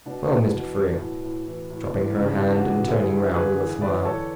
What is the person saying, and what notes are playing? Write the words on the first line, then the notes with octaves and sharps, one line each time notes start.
"Well, Mr. Frere," dropping her hand, and turning round with a smile.
B2 D4
E2
B2
B2
A2
A2
E3
A2
E2 D4
C#3
D4
E2
D4 F#4
E2
D3 E4 G#4
D3
D3 G#4 B4
E2
E3 B4 D5
E3 A4 C#5